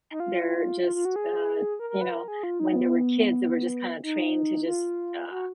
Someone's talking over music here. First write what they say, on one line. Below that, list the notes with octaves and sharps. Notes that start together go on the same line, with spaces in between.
they're just, uh you know, when they were kids, they were just kinda trained to just, uh,
D#4
F4
F4
F4
F#4
G#4
A#4
A#4
B4
A#4
G#4
F4
D#4
B3
D#4
F4
F#4